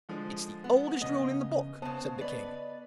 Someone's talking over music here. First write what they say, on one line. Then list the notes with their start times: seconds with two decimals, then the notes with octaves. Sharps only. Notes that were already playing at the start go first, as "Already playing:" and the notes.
'It's the oldest rule in the book,' said the King.
0.09 D3 F3 G#3
0.64 B3
1.02 C#3 B3 C#4 D#5
1.82 C#3 B3 C5 A5
2.21 B4 D5 D#5